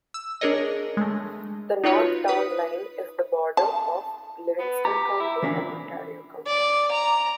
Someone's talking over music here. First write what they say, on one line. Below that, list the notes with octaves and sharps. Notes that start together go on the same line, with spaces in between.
The north town line is the border of Livingston County and Ontario County.
E6
D4 G#4 A#4 C#5 D#5
G#3 A3
D#4 F4 F#4 B4 C#5
B4 D#6
A5
B3
G4 A#5
E4
A#2 E3 C#4 D4
D5
A#5